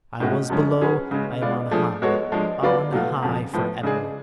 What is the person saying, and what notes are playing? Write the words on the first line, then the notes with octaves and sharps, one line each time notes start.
I was below, I am on high--on high for ever!
A2 G#3 C#4 F#4
F#2 F3 G#3 C#4
F#3 C#4 G#4 B4
C#3 G#3 C#4
G#3 B3 F4 B4 D5
F3 A3 D4 G#4
G#3 B3 F#4 A4 C#5
F3 G#3 D4
F#3 B3 F4 B4 D5
B2 F#3 A3 F4
F2 C#3 F3
A2 F3 B3
C#3 G#3 D4 G#4